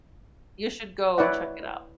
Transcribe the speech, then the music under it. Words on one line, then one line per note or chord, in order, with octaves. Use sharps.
You should go and check it out.
E4 B4 C#5 D5 F#5